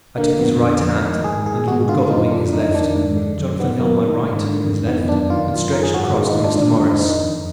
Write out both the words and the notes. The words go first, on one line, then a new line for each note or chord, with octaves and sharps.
I took his right hand, and Lord Godalming his left; Jonathan held my right with his left and stretched across to Mr. Morris.
D3 A#3
F2 B3
D3
F2
D#3 D#4
G#2 G#4
D#3 G#4
G#2 F#4
D3 F4
F#2 D#4
D3 D4
F2 D#4
D#3 D4
G#2
D3
F#2
D#3 B3
F#2 A#3
D#3
G#2
D3
F2
D#3 B3
F#2 D4
D#3 F4
F#2
D#3 A#4
G#4
G#2 F#4
F#4
D#3 F4
D#4
G#2
D4
D3 D4
F2
D#3 D#4
F2